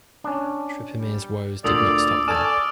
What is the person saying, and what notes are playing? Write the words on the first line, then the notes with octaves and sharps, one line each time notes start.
Trpimir's woes did not stop there.
C#4 D4
G3
D2 A#2 D3 D5 D#6 E6 F#7
A4 D5 G#5 C#6 F6 E7